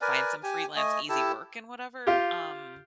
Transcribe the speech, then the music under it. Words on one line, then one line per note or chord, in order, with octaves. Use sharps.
find some freelance easy work and whatever. Um
A#4 B4 D5 G#5
G4 G#5
A3 D#5 G#5
E4 G4 A4 A5
F4 G4